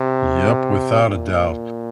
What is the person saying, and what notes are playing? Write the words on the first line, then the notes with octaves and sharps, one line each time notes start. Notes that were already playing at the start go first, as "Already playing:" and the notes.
Yep, without a doubt.
Already playing: C3
A#2